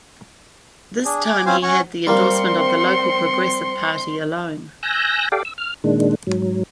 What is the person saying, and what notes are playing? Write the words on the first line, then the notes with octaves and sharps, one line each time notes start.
This time he had the endorsement of the local Progressive Party alone.
D4 G#4
G#5 D6
C4 C#4 F4 C5 F5 G#5
C#4 F#4 G#5 C#6
G3 A#3 C4 C6 C#7
G#5 E6 F#6 G6 A#6
G4 A4 D5 F5 G5
E6
F6
A#2 D#3 G#3 D4
G#2 F#3